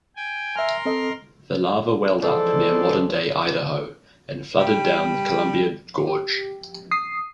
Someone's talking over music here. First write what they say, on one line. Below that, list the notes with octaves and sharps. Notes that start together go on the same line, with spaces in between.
The lava welled up near modern-day Idaho, and flooded down the Columbia Gorge.
G5 G#5
A#4 E5 G#5 C6 F6
C4 A4 D#5
E3 F3 G#3 A4 C5 D5
G3
G4
D#6 C7